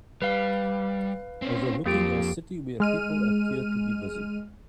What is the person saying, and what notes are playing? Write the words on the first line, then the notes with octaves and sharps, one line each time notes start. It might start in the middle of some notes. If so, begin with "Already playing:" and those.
Overlooking a city where people appear to be busy.
G3 B4 F5
C4 C#4
F2 F3 A#3 G4 D7
G#3 F6 D#7